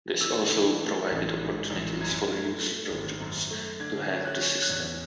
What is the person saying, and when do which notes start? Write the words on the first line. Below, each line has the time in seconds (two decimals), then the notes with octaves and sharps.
This also provided opportunities for user programs to hang the system.
0.21 E3 E6
0.51 E3
0.81 A3
1.11 A1
1.41 G#2
1.70 A1
2.00 F#2 G#6
2.30 A3
2.60 A3
2.90 G#1
3.20 F#2
3.50 A3
3.80 D3 G#6
4.10 C#4
4.25 F#6
4.40 C#4
4.62 F#6
4.69 E2 G#6